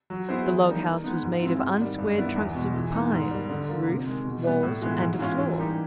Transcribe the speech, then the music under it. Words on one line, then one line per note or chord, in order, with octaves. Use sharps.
The log-house was made of unsquared trunks of pine--roof, walls, and floor.
F#3
B3 E4 G#4 C5
E3
G3 A#3 D#4
D#3
G#3 B3 D#4
G#2
F3 G#3 C4 E4
G#2
D#3 G3
G2
D#3 G3 B3 E4
E2
B2 G#3
E3
G#3 B3 D#4
G#2
D#3 G3
D3
F3 A#3
C3
D#3 G#3
B2
G3 B3
A2
E3 G#3 B3
G#2
E3 G#3 C#4 F4
E3
G3 A#3 D#4 G4